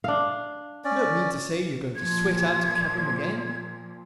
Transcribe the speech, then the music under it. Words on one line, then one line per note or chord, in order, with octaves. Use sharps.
You don't mean to say you're going to sweat out to Clapham again?'
D4 F5
C#4 D5
A#2 F3 G#6